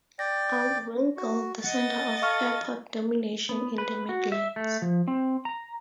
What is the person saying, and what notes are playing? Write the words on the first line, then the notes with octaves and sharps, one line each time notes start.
Aldwincle the centre of airport domination in the Midlands.
D5 G5 A#6
F#4
D#5 F#5 A6
A4 F5 C#6 F6
B3
B4
F#4
E5
A3
F3
C4
A#5